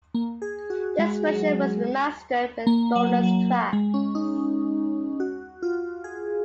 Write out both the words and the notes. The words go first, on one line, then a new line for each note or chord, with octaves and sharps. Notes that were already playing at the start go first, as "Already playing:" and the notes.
This version was remastered with bonus tracks.
A#3
G#4
F#4
G#3
F#3
A#3
F#3
F#3
F#3
G#3
C#4
D#4
F#4
F4
G#4